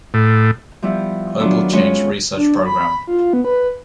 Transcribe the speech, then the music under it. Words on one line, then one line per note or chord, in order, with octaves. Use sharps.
Global Change Research Program.
A2
F3 G3 B3 E4
D#3 F#3 B3 D4 F4
G#3 B3 C#4 F4 C#5
D4
B5
F4
B3
B4